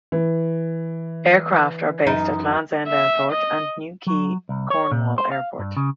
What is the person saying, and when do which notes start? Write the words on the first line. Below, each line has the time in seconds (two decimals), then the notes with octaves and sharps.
Aircraft are based at Land's End Airport and Newquay Cornwall Airport.
0.12 E3
2.07 F#2 D#4
2.88 E5
3.32 D#5
4.07 F#3
4.49 C2
4.70 C#5
4.91 A#2
5.18 C5
5.32 F5
5.59 G2
5.77 C#3